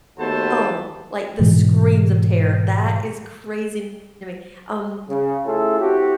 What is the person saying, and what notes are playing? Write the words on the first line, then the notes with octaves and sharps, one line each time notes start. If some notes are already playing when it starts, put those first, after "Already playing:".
oh, like, the screams of terror. That is crazy n to me. Um,
D#2 A3 B3 F#4 A4 B4 C5 A5
G#2 B2 E3 G#3
C#3
A3 C#4 E4 F4 G#4 A4
C4 E4 F#4 G4